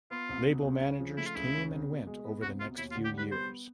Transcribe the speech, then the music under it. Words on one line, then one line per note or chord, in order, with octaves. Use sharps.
Label managers came and went over the next few years.
B3 F4
C2
B2
C#2
C#3
F3
A3 E4
F4
C#2 E4
C#3
C2
B2
G#3
B3
C2 F#4
B2 F4
D#2 E4
F4
D3
G4
G3 B4
B3 C5